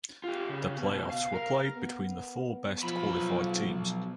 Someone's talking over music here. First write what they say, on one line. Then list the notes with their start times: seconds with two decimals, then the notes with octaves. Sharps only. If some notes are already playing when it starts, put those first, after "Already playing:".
The playoffs were played between the four best qualified teams.
0.24 F4 G4
0.49 C#3
0.78 B2
1.11 F5
1.34 A#4
1.76 B3
2.83 B1 F3 B5